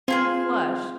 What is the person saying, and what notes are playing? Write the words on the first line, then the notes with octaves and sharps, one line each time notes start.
He flushed.
C4 F4 G#4 C5